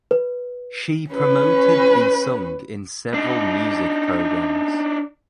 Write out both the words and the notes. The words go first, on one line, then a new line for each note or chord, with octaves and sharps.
She promoted the song in several music programs.
B4
C#4 B4
D4 D#4